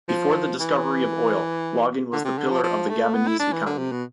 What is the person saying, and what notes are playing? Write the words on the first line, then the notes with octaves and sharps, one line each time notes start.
Before the discovery of oil, logging was the pillar of the Gabonese economy.
F3
E3
D3
C3
D3
F3
F3
A3
B3
E4
D4
E3
D3
C3
B2